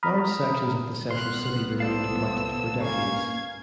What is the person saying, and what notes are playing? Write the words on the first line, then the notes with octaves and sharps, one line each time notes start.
Large sections of the central city remained blighted for decades.
A#5 B5 D#6 F6
C2 B3 C6 F6 F#6
A4 C5 D5 F5 E6
A#3 C#4 F5 G#6